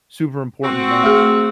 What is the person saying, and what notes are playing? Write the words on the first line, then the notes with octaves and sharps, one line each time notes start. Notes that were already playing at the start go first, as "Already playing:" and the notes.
super important to not
C4 F#4
A3 G#4